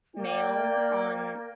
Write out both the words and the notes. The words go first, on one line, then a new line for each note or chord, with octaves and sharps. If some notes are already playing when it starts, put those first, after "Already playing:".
male on
A#3 D5 G5